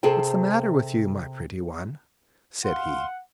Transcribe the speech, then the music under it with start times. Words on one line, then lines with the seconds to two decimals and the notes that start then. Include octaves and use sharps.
"What's the matter with you, my pretty one?" said he.
0.03 C3 G#4 A4 C5 G5
2.64 F5 F#5 C6